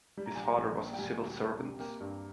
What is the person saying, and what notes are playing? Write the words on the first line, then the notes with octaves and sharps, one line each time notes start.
His father was a civil servant.
G3
A#5
A#1 G#5
A#5
A#1
A#2
G5
G3 G#5
D2
A#3
C3
A#3 G5
G2